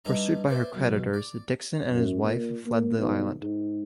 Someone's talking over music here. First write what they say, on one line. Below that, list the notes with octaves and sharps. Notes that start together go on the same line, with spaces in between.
Pursued by her creditors, Dixon and his wife fled the island.
G2 D#4 E4 D#5 A#5
E4 B4 C5 D5
B1 B2
D5
F#2
A#2
A#3
B1
G#2